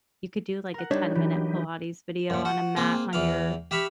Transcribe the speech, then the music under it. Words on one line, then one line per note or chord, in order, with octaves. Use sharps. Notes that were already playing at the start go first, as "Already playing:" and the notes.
you could do, like, a ten-minute pilates video on a mat on your
A#4 F#5
G3 D4 D#4 C#5 E5
E3 F#3 D#4 G4
F#2 A#2
F#4
A#3 C4 G#4
E2 E3 F5
G4 E5 F5 B5 C#6